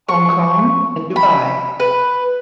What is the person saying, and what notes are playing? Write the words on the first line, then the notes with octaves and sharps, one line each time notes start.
Hong Kong and Dubai.
C#6
B5
B4